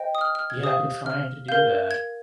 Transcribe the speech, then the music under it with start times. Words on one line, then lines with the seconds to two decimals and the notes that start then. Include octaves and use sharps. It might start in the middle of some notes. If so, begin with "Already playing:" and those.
Yeah, I've been trying to do that.
Already playing: C5 D#5 G5
0.15 D#6
0.21 F6
0.35 F6
0.50 G#6
0.63 G4 C5 F5 D#6
1.06 F6
1.48 A#4 F5 G6
1.91 G#6